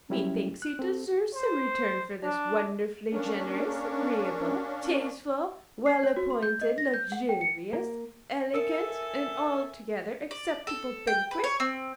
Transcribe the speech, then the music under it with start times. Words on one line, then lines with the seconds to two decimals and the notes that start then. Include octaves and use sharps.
Methinks he deserves some return for this wonderfully generous, agreeable, tasteful, well-appointed, luxurious, elegant, and altogether acceptable banquet.
0.10 F#3 G3 C#4 E4 G4
0.62 F#6
0.79 C4 A4
1.34 C5
2.24 D4
3.12 A#3 C#4 D4
5.86 C7
6.03 C#5
6.16 F#4
6.30 C6
6.43 G6
6.61 D#5
6.78 A#6
6.94 G6
7.12 F#5
7.29 G5
7.41 C#7
7.73 A#3
8.54 A4 A#4 E5 G#5 E6 C#7
10.31 D5
10.67 A4
11.07 G5
11.31 B4
11.44 C#5
11.60 C4